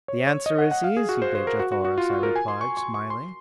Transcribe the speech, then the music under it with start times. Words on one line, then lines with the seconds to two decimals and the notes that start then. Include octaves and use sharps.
"The answer is easy, Dejah Thoris," I replied smiling.
0.08 C#5
0.27 C#5
0.46 D#5
0.59 F#5
0.71 F#5
0.84 F5
0.97 G#4
1.09 F#4
1.22 C5
1.35 C5
1.47 A#4
1.59 F#4
1.72 F#4
1.85 F#4
1.98 F4
2.10 F#4
2.23 A#4
2.36 G#5
2.48 C6
2.61 C#6
2.77 C#6
2.94 C#6
3.10 C6